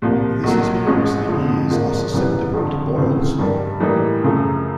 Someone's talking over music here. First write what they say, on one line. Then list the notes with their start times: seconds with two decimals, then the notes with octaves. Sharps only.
This is because the ears are susceptible to Boyle's Law.
0.02 C2 A#2 F3
0.44 B1 A#2 F#3
0.86 A1 G#2 F3 G#3 C#4
1.29 F2 D3 F3
1.70 G#1 G#2 F3 A#3
2.12 F#2 C#3 E3 G3 B3
2.54 G1 F2 D3 F3
2.96 D2 C#3 E3 A3 C4
3.38 G2 D#3 G3
3.80 A2 E3 G3 A#3 D#4
4.22 F#2 C#3 F3 A3